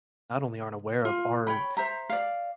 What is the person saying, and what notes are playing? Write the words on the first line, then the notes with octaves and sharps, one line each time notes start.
not only aren't aware of are,
F4
C#5 G5 B5
C5 E5 A#5
D5 F5